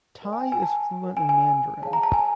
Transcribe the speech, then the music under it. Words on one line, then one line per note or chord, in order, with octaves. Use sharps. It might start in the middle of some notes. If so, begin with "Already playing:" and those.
Tai is fluent in Mandarin.
A#4 D5 F#5
G#5
G5
G#5
A5
A#4 C#5 F#5
G#5
G#5
G#4 C#5 F5 A5
A#5
A5
G#5